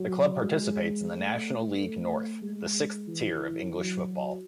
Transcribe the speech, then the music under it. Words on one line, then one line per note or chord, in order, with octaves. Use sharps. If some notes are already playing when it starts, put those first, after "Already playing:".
The club participates in the National League North, the sixth tier of English football.
Already playing: F#3
G#3
A3
A3
G#3
E3
F#3